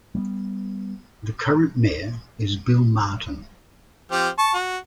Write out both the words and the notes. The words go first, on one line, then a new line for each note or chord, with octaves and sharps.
The current mayor is Bill Martin.
G3 A3 B3
F3 C4 G4
A5 C#6
F#4